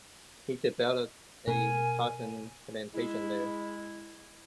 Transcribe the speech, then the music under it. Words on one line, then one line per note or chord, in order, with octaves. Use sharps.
He developed a cotton plantation there.
B2 A#4 G#5
G#3 E4